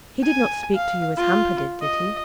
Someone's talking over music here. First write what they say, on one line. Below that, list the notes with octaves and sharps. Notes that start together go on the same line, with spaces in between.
He did not speak to you as Hamper did, did he?'
G#5
F5
F4
D#5